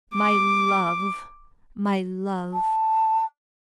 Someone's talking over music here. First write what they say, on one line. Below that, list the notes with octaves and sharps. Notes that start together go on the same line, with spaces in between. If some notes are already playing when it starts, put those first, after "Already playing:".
"My love! my love!"
D6
A5